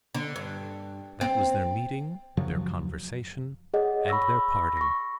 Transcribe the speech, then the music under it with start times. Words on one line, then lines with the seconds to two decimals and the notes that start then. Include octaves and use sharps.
That was their meeting, their conversation, and their parting.
0.15 D3
0.36 G2
1.21 C4
2.37 F#2 C#3 F3 F#3
3.74 G#4 C#5 D#5 F#5
4.08 B5 C#6 E6 A#6
4.77 C#6 A#6